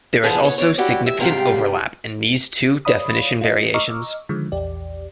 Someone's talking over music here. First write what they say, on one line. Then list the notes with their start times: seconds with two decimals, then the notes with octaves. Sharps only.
There is also significant overlap in these two definition variations.
0.23 D3 E3 F3 C#4 G#4 B4
0.43 B3 C#5
0.58 C#5 D5
0.78 E4 F#4 G4 D5
1.06 E5
1.20 G#2 C3 G3 F5 G5
2.85 C#5 D5 F5 B5 D#6
3.41 F4 D#5
3.74 D#5 A#5 C#6 D6 E6 F6
4.29 D3 D#3 F3 G#3
4.52 A#1 E2 G4 D5